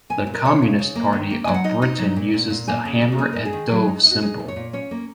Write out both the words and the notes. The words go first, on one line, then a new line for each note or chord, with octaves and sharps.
The Communist Party of Britain uses the hammer and dove symbol.
A#2 G#5
A#2
A#4
C#4 C#5
C#3
C#3
A#3
D#3
A#3
F#3 G#5
F#5
D#4 D#5
D#4
F#3
A#2
A#2
A#2
A#3 G#5
C#3
A#3
F#4
G#3 G#4
G#3 A#4
G#4
D#3
F#3
D#4
D#4
F#4
D#4 G#4
A#2
C#5
A#2
C#4 C#5
A#3